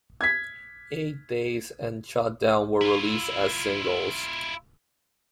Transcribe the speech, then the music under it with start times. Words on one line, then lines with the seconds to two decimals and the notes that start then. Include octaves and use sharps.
"Eight Days" and "Shutdown" were released as singles.
0.21 G#6 B6
2.81 E4 F4